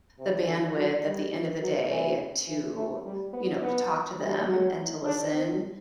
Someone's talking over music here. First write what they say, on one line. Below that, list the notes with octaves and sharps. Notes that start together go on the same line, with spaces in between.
the bandwidth at the end of the day to, you know, to talk to them and to listen.
C3
D3
F#3
G3
F#3
E3
E3
A3
G3
B3
B3
G3
F#3
D4
C4